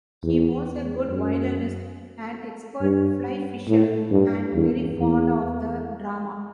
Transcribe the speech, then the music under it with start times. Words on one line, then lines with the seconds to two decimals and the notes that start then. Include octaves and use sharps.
He was a good violinist, an expert fly-fisher, and very fond of the drama.
0.23 E2
1.09 F#2
2.81 G2
3.69 A2
4.11 G2
4.54 E2
4.98 E2